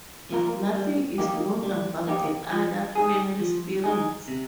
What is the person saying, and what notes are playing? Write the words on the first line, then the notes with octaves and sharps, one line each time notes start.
Nothing is known about the other fiery spirits.
F3 A#3 F4 A#4
G3
A#3 D#4 G4
G3
A#3 D#4 G4
F3
G#3 D#4 G#4
F3
G#3 D#4 G#4
C3